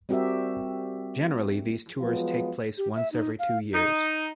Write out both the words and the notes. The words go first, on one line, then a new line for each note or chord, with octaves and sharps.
Generally these tours take place once every two years.
G3 C4 F#4 G4 A#4 E5
F3 F#3 G#3 B3 F4
G4
E5
D#4
F5
D#4